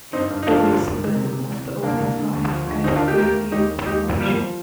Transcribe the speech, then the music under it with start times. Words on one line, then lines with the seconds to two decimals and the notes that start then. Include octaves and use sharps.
Bowie spent most of his life at Fairview Plantation.
0.13 G2 C4 D#4
0.30 G2
0.42 D#4
0.47 F3 D4 F4
0.64 G2
0.81 D#3
0.99 D#3
1.15 C3
1.33 C3
1.50 C2
1.66 D#3
1.83 C2 A#3 D4
2.00 C2
2.17 D3
2.33 D2
2.51 F3
2.67 D2
2.84 D#3 C4 D#4
2.96 D4 F4
3.02 D#3
3.07 D#4 G4
3.18 D#2 G4 A#4
3.36 D#2
3.52 D#2 D#4 G4
3.70 D#2
3.86 D#2 D#4 G4
4.03 F3
4.20 F3 G3 A#3
4.37 F3